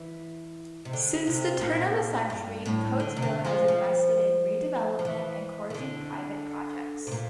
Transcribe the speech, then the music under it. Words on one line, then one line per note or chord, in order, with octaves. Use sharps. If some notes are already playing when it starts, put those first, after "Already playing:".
Since the turn of the century, Coatesville has invested in redevelopment, encouraging private projects.
Already playing: E3
C3
D3
C3
A#2
G2
A2
D3
C3
D3
F3
F3
F3
E3
E3
D3
C3
A#2